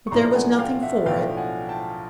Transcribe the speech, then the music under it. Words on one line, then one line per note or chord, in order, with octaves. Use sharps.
But there was nothing for it.
C#6
B1 A2 F3 A3 D4 A#5 C6
F#5 G#5
F5 G5
E5 F#5
B1 A2 F3 A3 D4 F5 G5
F#5 G#5
G5 A5